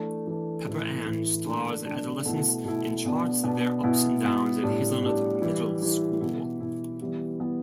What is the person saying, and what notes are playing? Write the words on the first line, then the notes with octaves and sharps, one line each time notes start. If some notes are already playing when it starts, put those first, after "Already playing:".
"Pepper Ann" stars adolescents and charts their ups and downs at Hazelnut Middle School.
Already playing: E3 A3 D4
E3 A3 D4
A2 E3 A3 E4
A2 E3 A3 E4
D3 A3 D4
D3 A3 D4
B2 A3 E4
B2 A3 E4
B2 B3 D4
B2 B3 D4
B2 B3 E4
B2 B3 E4
A2 G3 D4
A2 G3 D4
E3 G3 E4
E3 G3 E4
B2 B3 E4
B2 B3 E4
E3 G3 B3 E4
E3 G3 B3 E4